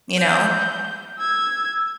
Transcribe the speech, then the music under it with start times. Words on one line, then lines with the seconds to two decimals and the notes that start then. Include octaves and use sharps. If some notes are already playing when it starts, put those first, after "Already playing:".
You know?
0.19 G6
1.18 E6 G#6